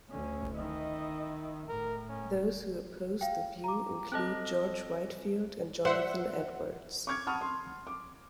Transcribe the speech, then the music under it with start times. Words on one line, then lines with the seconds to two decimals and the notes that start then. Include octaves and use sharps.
Those who opposed the view include George Whitefield and Jonathan Edwards.
0.10 D2 D3 C#4
0.55 D#3 E4 D#5
1.68 A2 A#4
2.09 C#4
3.21 F5 G5
3.64 A#5 D6
4.12 C4 A4 D#5 A5 F#6
5.85 C5 E5 F#5
7.07 C#6 D6 F6 G#6
7.27 F#5 A5 B5 C#6 D#6 F6
7.41 C6
7.87 D6